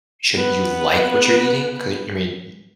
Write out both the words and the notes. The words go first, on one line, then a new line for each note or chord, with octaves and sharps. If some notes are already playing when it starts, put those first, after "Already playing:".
shouldn't you like what you're eating? 'Cau I mean, y
B3 B4